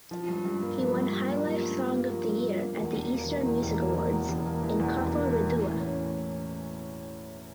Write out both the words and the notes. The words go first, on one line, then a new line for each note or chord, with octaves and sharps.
He won Highlife Song of the Year at the Eastern Music Awards in Koforidua.
F3
G2
G2
A#3
F3
G2
G2
A#3
F3
G2
G2
A#3
F3
G2
G2
A#3
E2
E1
A#3
E3
E2
E1
A#3
E3
E2
E1
A#3
E3
E2
E1
A#3
E3
E3
A2
C#4